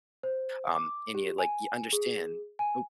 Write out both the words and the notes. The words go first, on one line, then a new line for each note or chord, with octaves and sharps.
um, and you, like you understand. O
C5
D6
G4
G#5
G#4
G#5